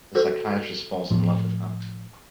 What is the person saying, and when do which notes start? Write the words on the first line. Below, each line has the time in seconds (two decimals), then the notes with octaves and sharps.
The psychiatrist falls in love with her.
0.15 F#4 A4 C5
1.11 A2 F3